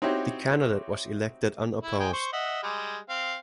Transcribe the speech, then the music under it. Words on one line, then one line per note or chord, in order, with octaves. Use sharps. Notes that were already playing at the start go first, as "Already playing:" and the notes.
The candidate was elected unopposed.
C4 D#4 E4 F#4 G4 C#5
E4
G#3 G5 G#5
C5 C#6
D#5 E5 F#5
G3 G#3
C4 F5